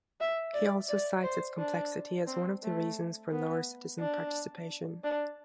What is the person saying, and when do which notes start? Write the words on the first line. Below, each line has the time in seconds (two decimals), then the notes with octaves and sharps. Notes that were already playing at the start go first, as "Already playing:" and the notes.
He also cites its complexity as one of the reasons for lower citizen participation.
0.21 E5
0.54 D5
0.89 D5
1.23 C5
1.59 D4
2.27 C4
2.63 A3
3.31 B3
4.00 D4
5.04 D4